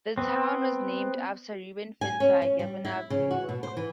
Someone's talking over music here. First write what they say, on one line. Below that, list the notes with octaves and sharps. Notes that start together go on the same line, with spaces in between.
The town was named after Reuben Fenton, a governor of New York.
B3 C4
G#5
C#4
C#4
G3
E4
C#3
F#4
B2
C5
E3